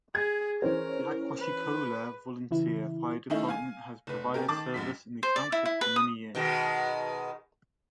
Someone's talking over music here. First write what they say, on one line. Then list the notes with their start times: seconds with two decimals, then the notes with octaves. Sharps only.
The Aquashicola Volunteer Fire Department has provided service in the township for many years.
0.15 G#4 G#6
0.62 E3 C#4 A#4 C5
1.39 B4
2.51 C#3 E3 E4
3.30 D#3 A3 C#4 D#4 E4
3.48 F5 G#5
4.07 F1 B4
4.34 B3 C#4 G4 A#4
4.48 D#3 A5 D6 A6
4.74 A1 F#2 B6
5.23 C5
5.36 D5
5.52 E4
5.66 E4
5.81 B4
5.96 D#6
6.35 B2 D#3 G#3